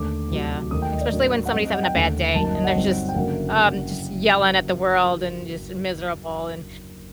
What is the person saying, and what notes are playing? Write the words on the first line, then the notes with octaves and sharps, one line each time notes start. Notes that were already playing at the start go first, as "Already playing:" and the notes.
Yeah, especially when somebody's having a bad day, and they're just um, just yelling at the world and just miserable, and,
Already playing: D#2 D3 A3 D4 D6
D2 C3 F#3 A3 D#4
D#2 D#3 A3 D#4 D#6
G5
D#5
D5
A2 F#3 A#3 D4
F#5
G2 F#3 C4 D#4 D#5
D#5
F#5
G5
D#2 D3 A3 D#4
G1 F#2 F#3 A#3 D#4 A5
A5
D#5
F#5
G1 G2 F#3 C4 D#4
G5
F#1 F#2 D3 F#3 A#3 F#5